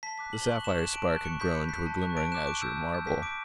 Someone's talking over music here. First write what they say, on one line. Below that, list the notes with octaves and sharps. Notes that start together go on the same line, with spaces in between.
The sapphire spark had grown to a glimmering azure marble.
A5 B6
D6 F#6 B6
A5 F#7
G7
C#6 F#6 F#7
C#6 E7
F#6 E7
A5 D7
C#6 F#6
C#6 C#7
G6 B6
B5 C#7
F#6 B6
C#7
A5
C#6 F#6
A5 D7
D6 F#6 E7
C#6 D7
E6 G6
A5
E6 G6
A5 B6
D6 G6 D7